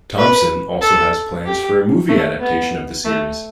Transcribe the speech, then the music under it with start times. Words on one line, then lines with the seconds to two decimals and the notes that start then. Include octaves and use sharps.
Thompson also has plans for a movie adaptation of the series.
0.18 B4
0.81 A4
1.45 G4
2.09 A3
2.41 B3
3.05 A3